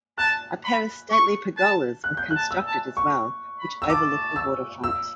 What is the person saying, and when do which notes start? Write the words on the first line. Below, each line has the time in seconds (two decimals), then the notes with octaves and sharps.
A pair of stately pergolas were constructed as well, which overlook the waterfront.
0.18 A5 F#6
0.64 B5
1.11 C#6
1.57 A5
2.04 F#6
2.17 G6
2.31 A5 F#6
2.51 E6
2.66 A5
2.97 C#6
3.59 B5
3.82 E6
3.90 A5 D6
4.36 E6
4.84 E6